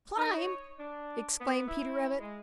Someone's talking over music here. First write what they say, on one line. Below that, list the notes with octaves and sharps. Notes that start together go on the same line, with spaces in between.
"Climb!" exclaimed Peter Rabbit.
D#4
C#5
D4
B3
E4
G#3